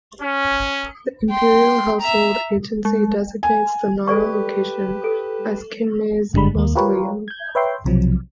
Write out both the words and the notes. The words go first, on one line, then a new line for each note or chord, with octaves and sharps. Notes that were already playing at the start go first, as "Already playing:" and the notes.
The Imperial Household Agency designates the Nara location as Kinmei's mausoleum.
C#4
G5 C6
E5 A#5
G#3
G#5
G4 A4 B4 D5 C#6
A4
G#1 G2 D3 G3 G#3 B5
D#2 A#3
F4 G4 A#4 B4 C#5
G6 G#6
B4 C#5 E5 G5 C6
B1 C3 F3 F#3